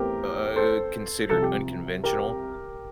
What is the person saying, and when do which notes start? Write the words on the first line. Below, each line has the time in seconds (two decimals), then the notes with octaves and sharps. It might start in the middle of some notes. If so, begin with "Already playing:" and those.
uh, considered unconventional.
Already playing: E2 E3 A3 C4 G4 A#4
0.56 A4 C5
1.30 C2 C3 F3 A4
1.42 G4
2.04 G4 A#4